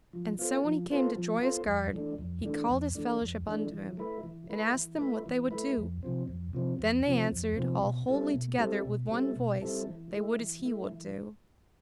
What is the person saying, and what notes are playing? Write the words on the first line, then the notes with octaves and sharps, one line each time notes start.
And so when he came to Joyous Gard he called his fellowship unto him, and asked them what they would do Then they answered all wholly together with one voice they would as he would do.
F3
B3 F4 A4 C5
F3
B3 F4 A4 C5
F3
B3 F4 A4 C5
F2
E3 A3 D4
F2
E3 A3 D4
F2
E3 A3 D4
F2
E3 A3 D4
E3
A3 E4 B4
E3
A3 E4 B4
E3
A3 E4 B4
E3
A3 E4 B4
F2
C3 F3 C4
F2
C3 F3 C4
F2
C3 F3 C4
F2
C3 F3 C4
B2
G3 C4 E4 A4
B2
G3 C4 E4 A4
B2
G3 C4 E4 A4
B2
G3 C4 E4 A4
E3
A3 E4
E3
A3 E4
E3